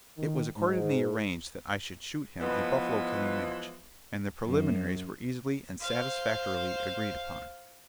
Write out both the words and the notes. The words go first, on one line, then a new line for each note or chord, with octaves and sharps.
It was accordingly arranged that I should shoot him a buffalo-killing match, and the preliminaries were easily and satisfactorily agreed upon.
D#3
G#2
E3 F3 G#3 B3
F#2
C5 F5